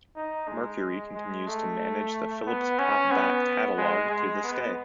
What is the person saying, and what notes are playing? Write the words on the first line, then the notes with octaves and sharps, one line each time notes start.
Mercury continues to manage the Philips pop back catalogue to this day.
D#4
G#3
G#3
A3
B3
C#4
B3
G#3
G#3
B3